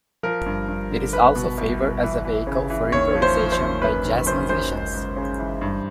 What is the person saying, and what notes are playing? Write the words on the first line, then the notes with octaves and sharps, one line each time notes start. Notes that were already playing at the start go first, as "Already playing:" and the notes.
It is also favored as a vehicle for improvisation by jazz musicians.
F3 A#4
G2
G2
D3
C2 B4
B2
C2
C2
E3
E3
C#3
E3
D#2 C#5
F3
C5
F3
C5
D#2
F#2 B4
D#3
F#2 C5
F#2 C5
C#2
C#2
C#3
E3
G2